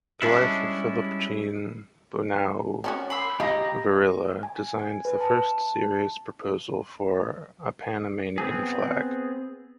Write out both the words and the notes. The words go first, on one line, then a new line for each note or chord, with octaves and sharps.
The wife of Philippe-Jean Bunau-Varilla designed the first serious proposal for a Panamanian flag.
G3 G#3 C#4 D4 E4
C4 C#4 F#4
B5 C6 E6
G#3 G4 F5 A#5 B5
G#5
G#5
B4
A5
B3 C4 G#4